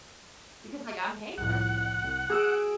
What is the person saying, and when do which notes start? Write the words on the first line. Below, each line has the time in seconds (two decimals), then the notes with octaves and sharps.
because, like, I'm paying for everything."
1.38 C2 F2 A2 F#5
2.04 C2
2.30 F#4 G#4 E6 D7